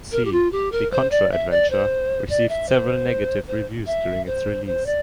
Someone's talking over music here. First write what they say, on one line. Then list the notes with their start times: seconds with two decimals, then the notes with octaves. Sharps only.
"C: The Contra Adventure" received several negative reviews during its release.
0.12 A#4
0.25 G4
0.32 F4
0.52 G4
0.72 A#4
0.91 C5
1.11 D5
1.31 E5
1.51 D5
1.70 C5
2.29 D5
2.49 E5
2.69 C5
3.47 C5
3.86 E5
4.26 C5
4.66 C5
4.86 D5